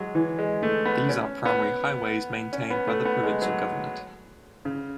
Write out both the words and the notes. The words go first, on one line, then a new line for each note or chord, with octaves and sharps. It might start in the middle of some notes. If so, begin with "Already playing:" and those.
These are primary highways maintained by the provincial government.
Already playing: F#3 G#3
E3
G#3
A3
B3
C#4
B3
C#4
B3
A3
B3
G#3
F#3
C#3